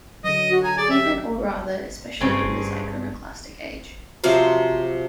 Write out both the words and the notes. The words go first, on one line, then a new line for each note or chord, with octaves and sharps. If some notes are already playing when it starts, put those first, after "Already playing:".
Even or rather, especially in this iconoclastic age.
D3 F#3 D#5
F#4
G#5 A#5
G#4 D5
G4 E5
G2 C#3 C4 C#4
C3 F3 F#3 C5